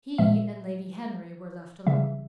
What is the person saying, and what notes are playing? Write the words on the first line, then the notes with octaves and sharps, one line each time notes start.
He and Lady Henry were left alone.
A#2 F3 G#3 E5
C#3 E3 G3 E5